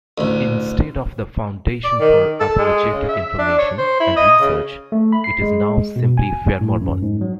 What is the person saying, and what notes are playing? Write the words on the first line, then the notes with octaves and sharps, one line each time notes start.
Instead of The Foundation for Apologetic Information and Research, it is now simply FairMormon.
A1 D2
D5
D#3
A4
G#3
C#3
E5
D4
C#5
C5
E4
D#5
C#3
A3
B5
C7
G#3
B2
G#5
A2
F#2
G#2
F#3